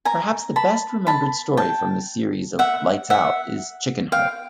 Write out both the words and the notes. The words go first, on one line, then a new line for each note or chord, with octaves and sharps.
Perhaps the best remembered story from this series of "Lights Out" is "Chicken Heart".
G#5 A#5
A5 B5
A5 B5
G5 A5
E5 F#5
E5 F#5
F5 G5